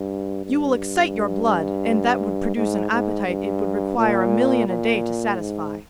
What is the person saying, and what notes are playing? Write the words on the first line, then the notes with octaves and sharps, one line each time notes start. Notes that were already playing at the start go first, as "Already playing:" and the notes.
You will excite your blood, and that would produce an appetite it would require a million a day to satisfy.
Already playing: G2
G2
G#2
G#2
G2
A#2
A#2
G#2